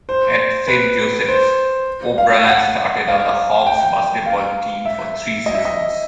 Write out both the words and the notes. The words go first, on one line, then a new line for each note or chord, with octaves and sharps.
At Saint Joseph's, O'Brien started on the Hawks basketball team for three seasons.
C5
B4
C5
F5
F#5
F5
G5
F5
E5
D#5
E5
D#5